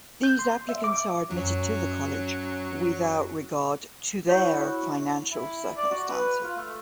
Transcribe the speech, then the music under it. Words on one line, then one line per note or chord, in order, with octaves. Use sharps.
These applicants are admitted to the college without regard to their financial circumstances.
G6
C6
E5
D6
F#2 F#3 C#4
E4 F#4 C#5
E4
D5
F#4
B4
F4
A3